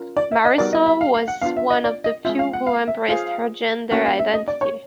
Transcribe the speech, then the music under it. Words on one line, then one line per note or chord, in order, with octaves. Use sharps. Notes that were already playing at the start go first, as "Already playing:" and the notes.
Marisol was one of the few who embraced her gender identity.
Already playing: C#4 F4 A#4
D5
E5
D#5
G3 B3 D#4 F#4 A#4 D5
D#5
E5
F5
F5
F#5
B3 D4 F4 F5
E5
D#5
D5
D#5
G#3 C4 F4 E5
F5
F#5
F5
E5
F4 G#4 C5 F5
A#3 C#4 F#4 F#5
F5
E5
D#5
D5
C#5